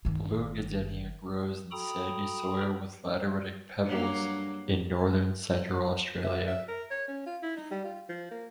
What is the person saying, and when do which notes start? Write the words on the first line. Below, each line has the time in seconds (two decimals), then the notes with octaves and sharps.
Blue goodenia grows in sandy soil with lateritic pebbles in northern central Australia.
0.05 G1 D#3
1.71 F#4 A4 G5 A#5 B5 D#6
3.85 G2 F#3 A#3
6.24 E5
6.47 E5
6.68 A#4
6.90 C#5
7.08 C#4
7.26 F4
7.42 E4
7.56 D#4
7.71 G3
7.84 F4
8.09 F3
8.31 A#3